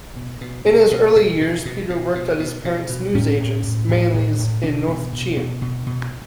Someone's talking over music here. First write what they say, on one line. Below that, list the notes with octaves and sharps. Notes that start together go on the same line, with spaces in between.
In his early years Peter worked at his Parents newsagents, Manleys, in North Cheam.
B2
B2
B2
B2
B2
B2
B2
B2
B2
B2
B2
B2
A2 C#4
A2
A2
A2
A2
A2
B2 D4
B2
B2
B2
B2
B2